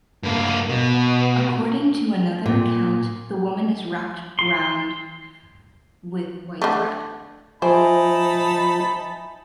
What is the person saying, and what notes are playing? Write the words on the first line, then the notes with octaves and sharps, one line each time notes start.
According to another account, the woman is wrapped round with white thread.
G2 A#3
B2
A#2
C6
D3 A3
F3 D#4 C5 E5 G#5 A5 B5